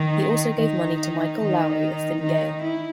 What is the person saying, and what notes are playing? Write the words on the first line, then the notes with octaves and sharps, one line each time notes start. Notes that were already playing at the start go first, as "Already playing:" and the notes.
He also gave money to Michael Lowry of Fine Gael.
Already playing: D#3 D#4
D#3 D#4
D#3 D#4
D#3 D#4
E4